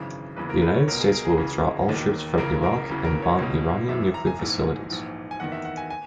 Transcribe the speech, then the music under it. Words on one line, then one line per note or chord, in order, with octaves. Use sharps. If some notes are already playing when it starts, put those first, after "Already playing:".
The United States will withdraw all troops from Iraq and bomb Iranian nuclear facilities.
Already playing: G#1 F#2 C#3 E3
F#1 E2 C#3 E3 B4
A#4
B4
C#5
C#2 B2 A#4
G#4
A#4
G#4
C#2 C#3 E3
E1 D#2 D#3
C#2 C#3 E3 A#4
A#4
E1 E2 C#3 E3
A#4
C#5
C#2 B2
G#1 F#2 E3 E5
A#5
G#5
A#1 G#2 E3
A#1 G#2 E3
G#5
F#1 E2 D#3 F#5
E5
F#5
G#5
G#5